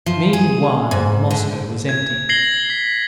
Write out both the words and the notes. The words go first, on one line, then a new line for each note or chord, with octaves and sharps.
Meanwhile Moscow was empty.
F3
G#4
G#2
D3
G#6
G#6 A#6 C7 F#7 G7
B6